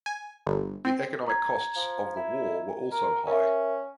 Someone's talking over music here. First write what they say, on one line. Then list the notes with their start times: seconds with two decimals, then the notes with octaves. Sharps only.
The economic costs of the war were also high.
0.06 G#5
0.47 G1
0.85 C4
1.27 A#5 G#6
1.76 F3
2.16 E4
2.92 A#4
3.27 C#4 A#4 E5